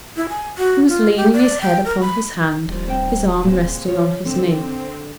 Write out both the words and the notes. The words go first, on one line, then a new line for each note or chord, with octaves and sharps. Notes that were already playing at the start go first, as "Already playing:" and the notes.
He was leaning his head upon his hand, his arm resting on his knee.
E4
G#5
F#4
F4
G4
D5
G5
A#4
B5
D#1 F3 G3
G2 C4 G5
A#2 G#3 C4
F3 C#5
D3 C4